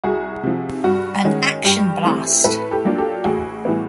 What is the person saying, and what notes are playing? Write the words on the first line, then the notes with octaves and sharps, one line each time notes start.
An Action Blast!
C2 F#4 G#4
C3 F3
G2 F#4
D#3 G#3 C#4
G2 G4
E3 A3 C4
A2 A4 B4
G4 A4
F#3 A#3 D4 F4
G4 A4
A1 F#4 G#4
A2 E3 G3 B3